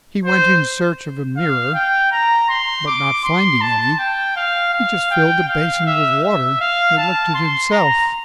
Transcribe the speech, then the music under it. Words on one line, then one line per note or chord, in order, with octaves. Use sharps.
He went in search of a mirror, but not finding any, he just filled a basin with water and looked at himself.
C5
F5
G5
A#5
C6
D6
C6
A5
G5
F5
F5
G5
F5
E5
E5
F5
A5
C6
A#5